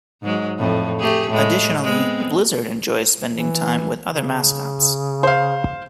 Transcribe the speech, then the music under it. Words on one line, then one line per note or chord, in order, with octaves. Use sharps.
Additionally, Blizzard enjoys spending time with other mascots.
G#2 F#3 G#3
F2 A2
A3 G4 G#4
A2 G#3
G#3 B3 C4
E3
C#3
C5 F5